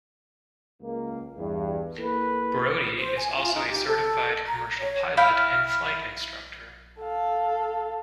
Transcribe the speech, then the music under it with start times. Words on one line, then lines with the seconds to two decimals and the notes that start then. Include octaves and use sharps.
Brody is also a certified commercial pilot and flight instructor.
0.81 C#2 A#3
1.37 E2 G2
1.98 A#3 E4 A4 B4
2.98 C5
3.17 G#5
3.36 F4
3.53 D#4
3.69 G4
3.88 A4
4.48 A#5
4.80 C#5
5.17 E4 F5 G5 B5
7.00 A4 F5